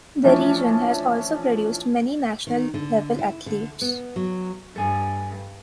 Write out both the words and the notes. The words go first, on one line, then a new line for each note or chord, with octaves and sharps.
The region has also produced many national level athletes.
E3 F3 A3 C#4 D4
D#3
D3
E4
D3
B3
F#3
G2 A4 G#5